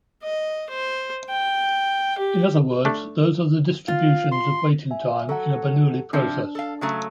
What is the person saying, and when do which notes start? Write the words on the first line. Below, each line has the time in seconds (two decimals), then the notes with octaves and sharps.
In other words those are the distributions of waiting time in a Bernoulli process.
0.24 D#5
0.70 C5
1.30 G5
2.18 G4
2.85 A3 D4
3.88 F4 F5
4.32 C6
4.91 E5 G#5
5.29 F#3 A4 F#5
6.13 C3 F3 D4
6.55 A4 F5
6.81 C#3 F#3 A3